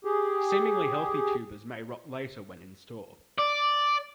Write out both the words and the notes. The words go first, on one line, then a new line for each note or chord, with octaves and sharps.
Seemingly healthy tubers may rot later when in store.
G4 G#4
D5